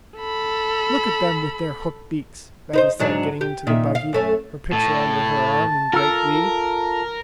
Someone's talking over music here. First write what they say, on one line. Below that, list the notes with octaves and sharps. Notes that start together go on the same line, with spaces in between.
"Look at them with their hooked beaks," Becky said, getting into the buggy, her picture under her arm, in great glee.
A4 B5
D#4 B4 C5
G#2 F#3 D4
G4
A#2 D#3 E5
F5
F#2 A3 C#4
A2 A5
F4 A4 A#4